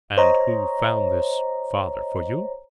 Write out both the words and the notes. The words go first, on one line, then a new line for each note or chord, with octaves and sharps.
"And who found this father for you?"
C5 C#5 D#5 A#5